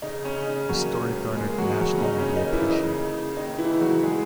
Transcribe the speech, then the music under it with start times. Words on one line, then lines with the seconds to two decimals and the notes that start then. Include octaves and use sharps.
The story garnered national media attention.
0.02 C#3 D#4
0.25 C#4
0.36 C#3
0.47 D#4
0.69 F#3 A#3 F#4
1.03 C#2
1.36 G#3 A#3 G#4
1.58 F#3 F#4
1.69 C#3
1.80 F#3 F#4
1.97 C#4
2.03 C#3 D#4
2.19 C#4
2.36 A#3 D#4
2.53 E3 E4
2.70 C#3 D#4
3.03 C#3
3.36 D#2 D#4
3.59 E3 E4
3.70 C#3
3.81 F#3 F#4
4.03 G#3 G#4